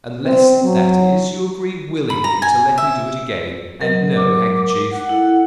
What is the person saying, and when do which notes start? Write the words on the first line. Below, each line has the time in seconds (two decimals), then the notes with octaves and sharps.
"Unless, that is, you agree willingly to let me do it again, and no handkerchief."
0.24 C4
0.63 F#3
2.10 B5
2.24 A#5
2.42 G#5
2.78 E5
3.81 F#3 A#4 D#5
4.16 D6
4.91 F#5
5.09 E4 A4